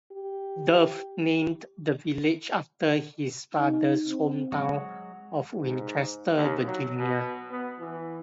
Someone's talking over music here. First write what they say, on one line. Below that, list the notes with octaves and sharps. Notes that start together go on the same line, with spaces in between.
Dove named the village after his father's hometown of Winchester, Virginia.
G4
D#4
C4
F#3 G#3 F#4
G#2
D#2
F#3
B2
B3
E3